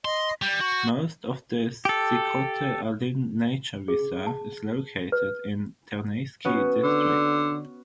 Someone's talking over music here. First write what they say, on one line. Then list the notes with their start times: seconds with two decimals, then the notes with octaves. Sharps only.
Most of the Sikhote-Alin Nature Reserve is located in Terneysky District.
0.05 D#5 C6
0.42 G3 G6
0.61 F#4
1.85 G4 A4
3.88 G#4
4.27 A5
5.12 B4
6.45 B3 C#4 F#4
6.83 D3